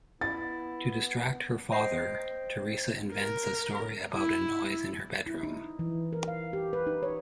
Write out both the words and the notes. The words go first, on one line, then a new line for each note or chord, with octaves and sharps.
To distract her father, Teresa invents a story about a noise in her bedroom.
B3 E4 A6
C5 D#5 G5 C7
A#4
E4
E4
D#4
E3
A#4
F5
G4
B4
D#4
C#5